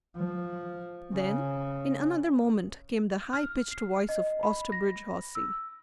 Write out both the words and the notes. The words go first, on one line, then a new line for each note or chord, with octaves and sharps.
Then, in another moment, came the high-pitched voice of Osterbridge Hawsey.
F3
C#3
F6
C7
D#5
B5
A#6
E6